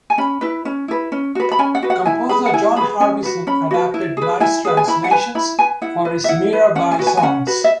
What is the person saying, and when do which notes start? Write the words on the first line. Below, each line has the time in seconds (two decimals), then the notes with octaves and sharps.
Composer John Harbison adapted Bly's translations for his Mirabai Songs.
0.10 G#5
0.18 C#4 B5
0.41 E4 B4
0.65 C#4
0.88 E4 B4
1.12 C#4
1.35 F#4 B4
1.52 B5
1.59 C#4 G#5
1.75 F#5
1.82 F#4 B4
1.90 F#5
2.05 E4 G#5
2.29 G#4 B4 B5
2.46 F#5
2.53 E4 G#5
2.76 G#4 B4 B5
3.00 C#4 G#5
3.23 F#4 B4
3.47 C#4 B5
3.71 F#4 B4
3.94 E4
4.17 G#4 B4
4.40 E4 G#5
4.65 G#4 B4
4.77 G#5
4.88 E4 B5
5.04 F#5
5.11 B4 G#5
5.35 E4 B5
5.59 B4 G#5
5.82 E4 F#5
6.05 B4
6.24 E5
6.29 E4 F#5
6.53 B4
6.75 C#4 F#5
6.91 G#5
6.99 F#4 B4
7.07 G#5
7.17 G#5
7.23 C#4 F#5
7.47 F#4 B4
7.64 E5